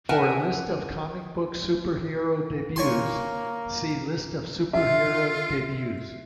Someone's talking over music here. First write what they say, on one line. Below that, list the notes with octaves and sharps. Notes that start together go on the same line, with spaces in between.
For a list of comic book superhero debuts, see List of superhero debuts.
A#4 B4 E5 F#5 G#5 A5
A#3 C#5 G#5 C6
F4 E5